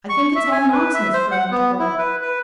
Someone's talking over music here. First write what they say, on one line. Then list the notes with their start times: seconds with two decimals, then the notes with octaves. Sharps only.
I think it's all nonsense for 'em to go.
0.09 C#6
0.36 E5
0.52 G#5
0.72 B4
0.95 E5
1.14 C5
1.31 F#5
1.51 B3
1.79 E4
1.98 B4
2.21 B4